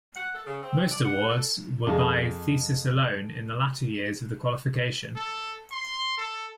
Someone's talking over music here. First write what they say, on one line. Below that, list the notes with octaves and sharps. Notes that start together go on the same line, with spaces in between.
Most awards were by thesis alone in the latter years of the qualification.
F#5
A4
C#3
C4
D5
F#5
A4
F2 G#3
A4
C6
A4